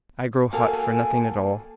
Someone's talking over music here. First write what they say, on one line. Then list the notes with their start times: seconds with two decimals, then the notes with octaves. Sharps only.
I grow hot for nothing at all.
0.53 A#3 F#4 A4 F5 G5 G#5